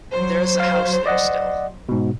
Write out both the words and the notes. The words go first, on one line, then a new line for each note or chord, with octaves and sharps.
There is a house there still.
F#3 C5
F5
D5 D#5 F#5
G#2 B2